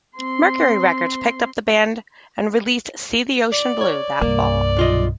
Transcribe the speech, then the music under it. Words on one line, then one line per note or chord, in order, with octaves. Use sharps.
Mercury Records picked up the band and released "See the Ocean Blue" that fall.
C4 C6
D5
C#5
C2 G2 A#3 A#4
B1 F4 D#5